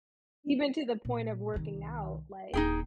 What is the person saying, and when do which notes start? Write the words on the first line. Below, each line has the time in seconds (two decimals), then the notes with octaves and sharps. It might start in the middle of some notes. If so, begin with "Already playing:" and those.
Even to the point of working out, like
1.05 A#2
1.54 C2 D#3
2.54 D#1 D#4 G#4 G5